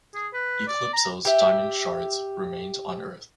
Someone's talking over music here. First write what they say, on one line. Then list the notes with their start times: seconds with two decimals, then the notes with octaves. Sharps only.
Eclipso's diamond shards remained on Earth.
0.15 G#4
0.34 B4
0.68 D5
0.93 A#5
1.25 G4 E5